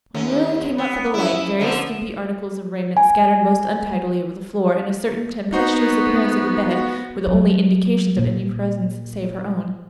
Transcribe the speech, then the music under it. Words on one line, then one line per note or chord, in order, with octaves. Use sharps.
When Marilla came up for the light various skimpy articles of raiment scattered most untidily over the floor and a certain tempestuous appearance of the bed were the only indications of any presence save her own.
D#2 C#4
B3
C#4 E4
D3 F3 A#3
G#5
B3 D#4 F#4 C5
F#4
F#3
A#2